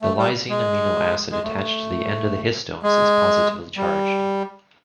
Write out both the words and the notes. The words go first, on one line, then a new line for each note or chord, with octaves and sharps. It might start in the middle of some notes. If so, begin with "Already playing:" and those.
The lysine amino acid attached to the end of the histones is positively charged.
A3
G3
G#3
G#3
A3
G#3
G3